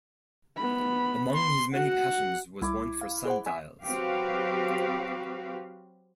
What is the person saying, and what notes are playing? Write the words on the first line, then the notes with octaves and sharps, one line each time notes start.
Among his many passions was one for sundials.
B3 B5
C6
F#4 F#5
C2 E4 D6
F5
G#4 C5 F#5
E5 G#5
F#3 C4 F#4 G4 B4 F5